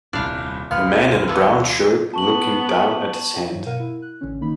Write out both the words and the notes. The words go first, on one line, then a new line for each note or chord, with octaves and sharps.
A man in a brown shirt looking down at his hand.
D#1 C2 D4 F5
D2 B3 F5 B5 F6
D3 E3 B3
B3 A5 C#6 F#7
G2 F#3
B2 A#4 F5 F#5 D#7
E4
F#6
A1 D3 C#4
D#3 A#3 D#4 B5